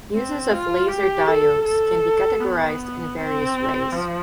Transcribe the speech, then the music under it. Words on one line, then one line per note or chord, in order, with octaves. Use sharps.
Uses of laser diodes can be categorized in various ways.
C4
F4
G4
A4
A4
B3
C4
F3